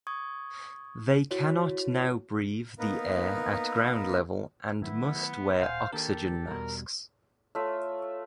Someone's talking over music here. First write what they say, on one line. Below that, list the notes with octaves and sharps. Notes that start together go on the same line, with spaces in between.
They cannot now breathe the air at ground level and must wear oxygen masks.
C#6 D#6 G#6
E4 F#4 C#5
A#3 B3 D#4 A#4 B4
D#3 F#3 A3 B3 E4
D1 A#2 C5 F5 F#5 G#5
D#3 A#3 D4 G4 A4 A#4
E2 B2 G3 A#4
A3 F4 C#5 E5